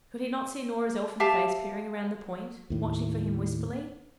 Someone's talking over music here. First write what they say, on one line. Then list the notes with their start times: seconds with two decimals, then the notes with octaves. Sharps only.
Could he not see Nora's elfin face peering around the point, watching for him wistfully?
1.20 G4 E5 F5 A5
2.70 D#2 A2